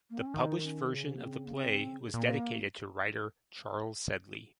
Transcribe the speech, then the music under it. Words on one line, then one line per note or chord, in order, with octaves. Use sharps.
The published version of the play was dedicated to the writer Charles Sedley.
A#3
C4
C#4
D#3 D#4
C#4
C#3 C#4
C3
A#3
C#3 C4
A#3
C4
A#2 A#3